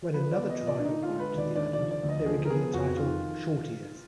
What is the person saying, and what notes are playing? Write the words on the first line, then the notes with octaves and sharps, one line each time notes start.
When another tribe arrived to the Island, they were given the title 'Short Ears'.
F3 B4
D5
B3
D#5
A#2
D5
D4
D3 D#4
F4
G#3
B4
D#2
D5
D3 D5
D5
F3
D5
D2
D#5
F3 G#4
A#4
B3 G#4
F2 F#4
D#3 F4